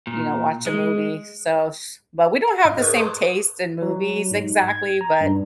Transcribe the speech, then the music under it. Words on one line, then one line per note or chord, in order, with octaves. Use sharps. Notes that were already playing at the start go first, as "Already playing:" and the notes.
you know, watch a movie, so, if s but we don't have the same taste in movies exactly, but,
A#2
G#3
F5
G#2 D#5 F6
G#4 A#4 B4 C#6 E6 G6
A5 C6 D6 D#6 F#6
F#3
G#2
G#6
A#5
G2